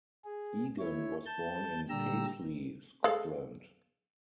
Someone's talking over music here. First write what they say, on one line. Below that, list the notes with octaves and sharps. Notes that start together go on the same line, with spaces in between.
Egan was born in Paisley, Scotland.
G#4
E4 C#5
A5 G6
A#2 D3 G3 G4 A#5 E6
G#4 A4 F5